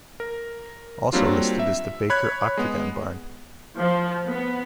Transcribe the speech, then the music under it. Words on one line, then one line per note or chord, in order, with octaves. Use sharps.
Also listed is the Baker Octagon Barn.
A#4
F#3 G3 A#3 C4 D4 F4
E5
C#5 B5 F#6 G#6
G#3 B3
F3
B3